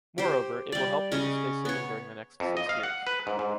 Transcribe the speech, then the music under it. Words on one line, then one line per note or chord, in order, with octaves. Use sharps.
Moreover, it will help you to stay sane during the next six years.
G4 C5
G3 D5
C#3 C#4 D#5
B3 C#5
F2
D#5
F5
F#5
B4
G#2
G#2